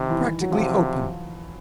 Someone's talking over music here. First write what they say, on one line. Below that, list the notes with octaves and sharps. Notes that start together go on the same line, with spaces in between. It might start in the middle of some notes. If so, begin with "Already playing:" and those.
Practically open.
Already playing: C3 D#3
E3
F#3
C3 F3